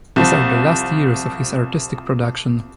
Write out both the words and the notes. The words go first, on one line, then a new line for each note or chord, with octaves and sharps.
These are the last years of his artistic production.
C2 F3